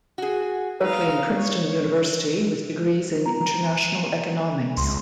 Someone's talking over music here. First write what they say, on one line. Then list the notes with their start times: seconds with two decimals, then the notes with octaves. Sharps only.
Berkeley and Princeton University with degrees in international economics.
0.18 F#4 G#4
0.81 D#4 B4 F5
1.37 C#5
3.26 A#5
4.77 C#2 C6